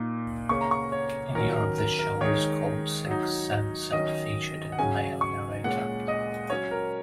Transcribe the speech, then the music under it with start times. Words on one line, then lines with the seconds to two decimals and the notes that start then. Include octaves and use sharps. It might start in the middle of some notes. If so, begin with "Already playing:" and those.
In Europe the show was called Sex Sense and featured a male narrator.
Already playing: A#2 A#3 D#4
0.49 C#3 A#3 C#4 C#6
0.61 A#5
0.71 C#6
0.92 C#5
1.35 D#3 F#3 C#4 A#4
1.56 A#4
1.78 A#4
1.99 A#4
2.21 D#3 G#3 D#4 C#5
3.07 F#3 D#4
3.92 D#3 F#3 C#4 D#5
4.72 F#5
4.78 C#3 F#3 C#4 G#5
5.21 C#6
5.64 A#2 G#3 C#4 F#5
6.08 D#5
6.50 F#3 C#4 C#5
6.71 A#4